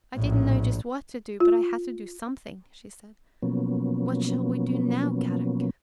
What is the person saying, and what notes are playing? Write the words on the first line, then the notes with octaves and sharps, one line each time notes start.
"I didn't know just what to do, but I had to do something," she said. "What shall we do now, Kadok?"
A#1 A2
F4
B2 F3 F#3 A#3 B3 C#4